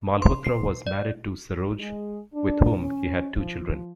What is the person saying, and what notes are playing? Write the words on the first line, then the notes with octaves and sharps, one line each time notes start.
Malhotra was married to Saroj, with whom he had two children.
C6
C7
D5
G#3
D4
C#4
F3